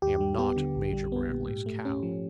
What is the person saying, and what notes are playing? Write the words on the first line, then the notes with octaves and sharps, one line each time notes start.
"I am not Major Grantly's cow."
D#2 G4
G3
B3 G4
D3
A#1
G3
B3
A#2
G#2
A3
C#4
F3